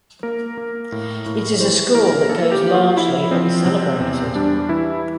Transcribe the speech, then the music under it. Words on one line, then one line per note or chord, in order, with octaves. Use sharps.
It is a score that goes largely uncelebrated.
A#3 A#4
A#3
A2
A2
E3 C5
E3 A#4
A#3 A4
G4
A#3
F4
F3 E4
F3 C4
C3 C4
E2
G3 D4
E3 E4